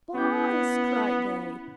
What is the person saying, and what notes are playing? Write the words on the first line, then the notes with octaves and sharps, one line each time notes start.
"Boys!" cried they.
B3 C#4 E4 G6